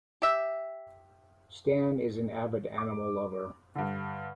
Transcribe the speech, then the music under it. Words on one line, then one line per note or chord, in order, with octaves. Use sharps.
Stan is an avid animal lover.
G4 E5
D6
G2 D3